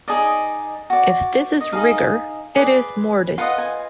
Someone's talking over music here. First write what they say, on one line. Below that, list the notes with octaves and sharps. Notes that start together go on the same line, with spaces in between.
If this is rigor, it is mortis.
D#4 G#4 D5 D#5
F#4 D5
D#5
D#4 G#4 D#5 F5
G#4 B4 D5
F4 B4 D#5 F#5
G#5